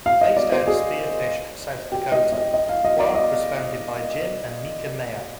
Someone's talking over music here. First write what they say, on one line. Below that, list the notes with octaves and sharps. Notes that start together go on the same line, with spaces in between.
Based out of Spearfish, South Dakota, Quarq was founded by Jim and Mieke Meyer.
F5
D#5
D5
C5
G#4
G4
D#5
D#5
D#5
F5
D#5
D5
D#5